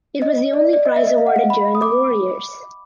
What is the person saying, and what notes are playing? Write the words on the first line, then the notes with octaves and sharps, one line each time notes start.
It was the only prize awarded during the war years.
D#5
D5
D5
D#5
E5
D#5
F5
F#5
F5
B5
D#6
D6